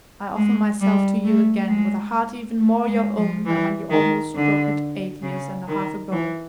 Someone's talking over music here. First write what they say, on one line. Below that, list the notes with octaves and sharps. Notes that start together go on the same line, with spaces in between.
I offer myself to you again with a heart even more your own than when you almost broke it, eight years and a half ago.
G#3
G3
A3
G#3
A3
G#3
F3
E3
D#3
D3
C#3
D#3
E3